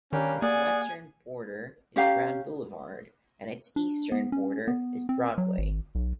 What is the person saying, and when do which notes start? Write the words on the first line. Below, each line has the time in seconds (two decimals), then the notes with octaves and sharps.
Its western border is Grand Boulevard and its eastern border is Broadway.
0.13 D#3 G3 A#3 C#4 D4 G4
0.42 A#3 G#4 D5 F#5 G#5
1.96 C#4 G4 F5 A#5
3.76 D4
4.12 B3
4.32 C#4
4.68 B3
5.09 C4
5.38 F#3
5.58 G#1
5.95 B1